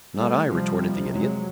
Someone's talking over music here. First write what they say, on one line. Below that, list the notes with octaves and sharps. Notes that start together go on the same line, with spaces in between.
"Not I," retorted the Idiot.
G3 A3
F2 C3 F3 G3
F#3 G#3